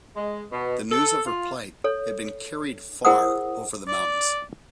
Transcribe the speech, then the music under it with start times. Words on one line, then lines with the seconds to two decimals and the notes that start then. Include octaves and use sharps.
The news of her plight had been carried far over the mountains.
0.16 G#3
0.51 B2
0.91 A4
1.26 F4
1.84 A4 C#5
3.05 E4 G#4 A#4 C5 F#5 D#6
3.88 D5